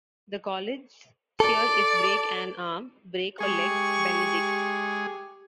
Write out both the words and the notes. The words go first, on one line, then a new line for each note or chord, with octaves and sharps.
The college's cheer is Break an arm, break a leg, Benedict!
A4 D5
G#3 G4 G#4 C#6